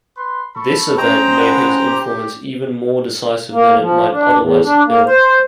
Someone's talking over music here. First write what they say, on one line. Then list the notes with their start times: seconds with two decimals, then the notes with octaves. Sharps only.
This event made his influence even more decisive than it might otherwise have been.
0.17 B4 C6
0.55 A4 B5 C#6
0.98 C#4 C5 D#5 G5 A#5 C6
1.37 G#3 B4 F#5
1.86 G4
3.51 A#3
3.79 F3
4.11 D4
4.36 E2
4.64 D4
4.86 A#3
5.06 C5